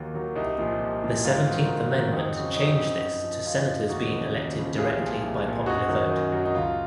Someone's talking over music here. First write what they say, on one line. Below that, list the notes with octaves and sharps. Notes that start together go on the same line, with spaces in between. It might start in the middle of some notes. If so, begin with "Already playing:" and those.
The Seventeenth Amendment changed this to senators being elected directly by popular vote.
Already playing: D#2 D#3 F#3 F4
D#3 F#3
C2 D#4
A#2 F3
C2
A#2 F3
G#2 F4
D#3 F#3
G#2
D#3 F#3
F2 D#4
C#3 F#3
F2 D#4
C#3 F#3
F#2
F3
F#2 F4
F3
D#2 D#4 F#4
C#3 F3
D#2
C#3 F3
C2 F4 G#4
A#2 F3
C2
A#2 F3
F#2 D#4 F#4
D#3 F#3
F#2
D#3 F#3
D#4
C#2 F4